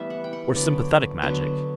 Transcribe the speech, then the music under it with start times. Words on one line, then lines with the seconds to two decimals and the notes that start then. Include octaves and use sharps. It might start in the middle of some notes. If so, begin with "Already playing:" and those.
"Or sympathetic magic?"
Already playing: E3 G3 A3 B3 E5
0.10 F#5
0.24 G5
0.33 F#5
0.55 D3 F#3 B3 D5
1.22 D3 F#3 B3